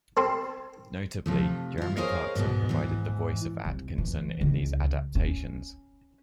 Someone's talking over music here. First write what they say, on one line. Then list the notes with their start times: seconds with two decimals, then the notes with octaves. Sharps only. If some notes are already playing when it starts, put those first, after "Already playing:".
Notably, Jeremy Clarkson provided the voice of Atkinson in these adaptations.
0.17 C4 A4 C6
1.26 C3 F3 A3
1.78 E4 F4
1.97 G#4 A#4 C5 C#5 D#5 F5
2.35 G#2 B2 B3
2.69 G#2 E3
3.65 C2
3.98 E3
4.41 C#2
5.15 C#4